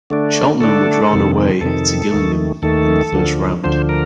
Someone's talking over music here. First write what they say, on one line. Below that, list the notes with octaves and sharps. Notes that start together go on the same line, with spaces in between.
Cheltenham were drawn away to Gillingham in the first round.
D3 A3 D4
D3 A3 D4 A4
F2 C3 D#3
F2 C3 D#3 A4
D#2 D#3 A3
D#2 D#3 A3 A4
D2 D3 F3
D2 D3 F3 C5
A#4